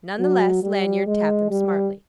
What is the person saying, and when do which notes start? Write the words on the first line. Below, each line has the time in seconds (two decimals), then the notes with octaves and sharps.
None the less, Lanyard tapped them smartly.
0.19 F#3
0.63 G3
1.07 G#3
1.50 G3